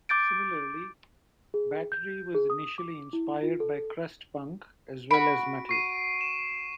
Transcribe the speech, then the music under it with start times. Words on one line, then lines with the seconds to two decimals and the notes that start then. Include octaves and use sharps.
Similarly, Bathory was initially inspired by crust punk as well as metal.
0.09 D6 G6 A6 D7
1.54 G#4
1.92 G6
2.34 G#4
2.50 D#6
2.78 D6
3.13 E4
3.43 F4
3.60 A4
5.11 F#4 B5 D7
5.69 C#6 C7 D#7
6.21 E7